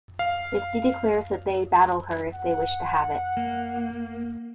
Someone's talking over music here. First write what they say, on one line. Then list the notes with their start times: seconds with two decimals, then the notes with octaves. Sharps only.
Misty declares that they battle her if they wish to have it.
0.19 F5
2.35 F#5
3.37 A#3